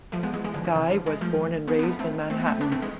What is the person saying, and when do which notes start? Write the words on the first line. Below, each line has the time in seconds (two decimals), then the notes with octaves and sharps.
Guy was born and raised in Manhattan.
0.12 F3 A3
0.23 G#3 B3
0.34 E3 G#3
0.44 E3 G#3
0.54 D3 F3
0.65 D3 F3
0.75 C3 E3
0.90 D3 F3
1.06 E3 G#3
1.21 F3 A3
1.68 G#3 B3
1.79 B3
1.83 F3 A3
1.99 A3 C4
2.30 A3 C4
2.40 B3
2.46 A3 C4
2.61 B3 D4
2.72 A3 C4
2.82 E3 G#3